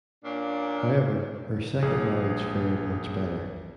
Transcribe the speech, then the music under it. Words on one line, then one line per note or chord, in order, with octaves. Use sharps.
However, her second marriage fared much better.
A#2 A#3 C#4 D4
A#1 G#4